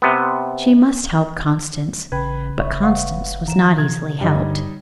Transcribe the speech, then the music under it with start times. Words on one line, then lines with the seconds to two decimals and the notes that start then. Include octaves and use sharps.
She must help Constance, but Constance was not easily helped.
0.02 C3 B3
2.12 A1 C#3 B4 G5 B5 G#6
2.58 F#1 C#5 E5 C#6
2.83 F5 F#5 C#6
3.48 E3 A#5 E7
3.78 C3 G#6
4.21 G2 D3 G3 D#4 C#5 D#5